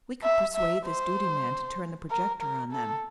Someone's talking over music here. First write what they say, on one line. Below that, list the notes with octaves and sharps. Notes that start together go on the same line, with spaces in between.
If we could persuade this duty man to turn the projector on them!
E5
E5
C5
A#4
A#4
A4